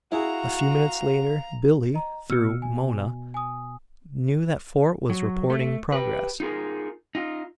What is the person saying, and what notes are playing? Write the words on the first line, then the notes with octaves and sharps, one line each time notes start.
A few minutes later Billie, through Mona, knew that Fort was reporting progress.
E4 F#4 G#4 F5 A#5
D#5 A#5
B2 E6 F6 C#7
G#5
G#5 D#6
F#3
A3
G4 B4
D#4 F4 G#4 A#4
D#4 F4